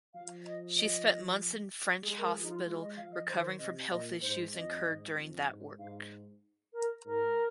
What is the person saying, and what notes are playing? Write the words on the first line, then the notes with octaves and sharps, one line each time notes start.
She spent months in French hospital recovering from health issues incurred during that work.
F3 F5
D#5
D#5
G#3 G#4
A#4
F3 G#4
D#4
F4
G#3 F4
D#5
F3 F5
D#5
D#3 C5
C3 D#5
A#2 D#5
G#2 C5
F2 D#5
G#2
F2
G#2
G#2 F5
A#4
G#2 A#4